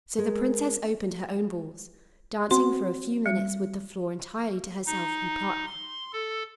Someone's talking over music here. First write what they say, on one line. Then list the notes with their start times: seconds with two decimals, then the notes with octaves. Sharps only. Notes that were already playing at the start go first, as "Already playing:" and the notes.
So the princess opened her own balls, dancing for a few minutes with the floor entirely to herself and partner.
0.18 G#3 A#4
2.51 C4 F#4 C6
3.26 G3
4.87 D#4
5.66 C6
6.13 A4